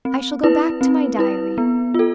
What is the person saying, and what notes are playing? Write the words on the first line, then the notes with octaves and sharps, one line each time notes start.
I shall go back to my Diary.
C4
E4 B4
C4
E4 B4
B3
F4 A4